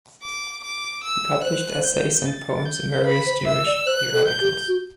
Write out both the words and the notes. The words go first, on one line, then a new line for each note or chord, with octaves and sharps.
He published essays and poems in various Jewish periodicals.
D6
D6
E6
D5
C5 F#6
G6
A6
G6
C5
B4 B5
C5
E5 E6
D5
C5 F#6
A4
G6
G4
F#4